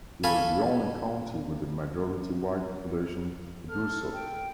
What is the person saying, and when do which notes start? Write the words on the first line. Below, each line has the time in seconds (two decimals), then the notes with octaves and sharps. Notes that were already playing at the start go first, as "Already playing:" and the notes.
It was the only county with a majority white population to do so.
0.24 A4 F5 G#5 B5 C#6
3.69 A4 F6
4.14 G5